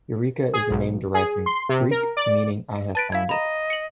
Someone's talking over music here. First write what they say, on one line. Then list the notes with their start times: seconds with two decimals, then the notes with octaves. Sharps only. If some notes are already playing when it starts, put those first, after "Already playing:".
Eureka is a name derived from Greek, meaning "I have found it".
0.53 G#4
0.71 B1
1.14 G#4
1.46 C6
1.69 C3
1.91 A#4
2.17 D5
2.95 B4 A5 A6 D7
3.12 E4 F5 G#6
3.29 D#5 A#5 B5
3.70 C#7 F#7